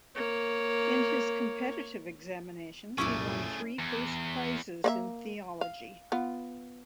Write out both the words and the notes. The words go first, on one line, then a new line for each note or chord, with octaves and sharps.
In his competitive examinations, he won three first prizes in theology.
A#3 C#5
C2 F#2 A#2 A3 C#4 E4 G#4 D5
E2
A#3 D5 E5
F5
B3 F4